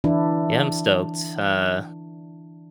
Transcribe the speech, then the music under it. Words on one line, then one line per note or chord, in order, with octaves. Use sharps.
Yeah, I'm stoked. Uh.
E3 D4 E4